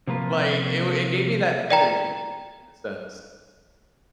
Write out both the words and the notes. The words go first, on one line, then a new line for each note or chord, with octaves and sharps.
Like, it w it gave me that energy in a sense.
C3 F3 A#3 F4 B4
D5 G5 A#5